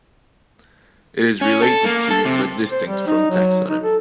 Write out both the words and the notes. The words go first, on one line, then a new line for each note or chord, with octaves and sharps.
It is related to, but distinct from taxonomy.
C#4
A4
A#3
A4
C3
C5
G3
D#4
F#3
D#4
A4